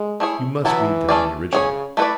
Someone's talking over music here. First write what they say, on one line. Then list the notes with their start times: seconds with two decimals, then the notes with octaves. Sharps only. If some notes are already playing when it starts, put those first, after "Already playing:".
You must read them in the original.
Already playing: G#3
0.20 A3 E4 G#4 C#5
0.64 E3 F#3 B3 E4 A4
1.09 A3 C#4 G#4 D5
1.53 C#3 C#4 G#4 C#5
1.97 A3 E4 B4 D5